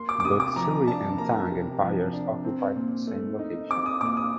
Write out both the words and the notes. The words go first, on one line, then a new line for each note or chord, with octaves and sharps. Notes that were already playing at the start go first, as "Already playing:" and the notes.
Both Sui and Tang empires occupied the same location.
Already playing: A#3 C6
D6
D6
C3 D#6
D6
F3 A#5
D4 A5
A#3 A#5
C3
F3
D4
C4
A#2
A3
D#4
C4 D6
D#6
A#2 D6
D#6